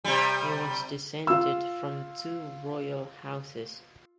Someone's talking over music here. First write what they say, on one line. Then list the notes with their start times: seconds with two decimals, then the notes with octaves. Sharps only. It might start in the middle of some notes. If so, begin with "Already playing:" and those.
He was descended from two royal houses.
0.04 C3 G3
1.27 F4 E6